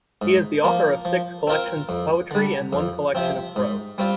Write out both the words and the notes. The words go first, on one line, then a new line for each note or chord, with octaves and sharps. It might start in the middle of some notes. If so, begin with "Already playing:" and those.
He is the author of six collections of poetry and one collection of prose.
G#2
F3 A#3
F3
C4 F4 A#4
F2
D3 G3
F2
C3 F3 C4
G#2
G3 C4 F4